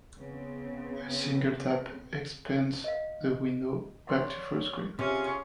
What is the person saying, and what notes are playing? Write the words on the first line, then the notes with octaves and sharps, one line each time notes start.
A single tap expands the window back to full screen.
C#3 B3 C4
D#5 F5
C#5 D5 F#5 C6
C3 C#4 F4 G#4 F5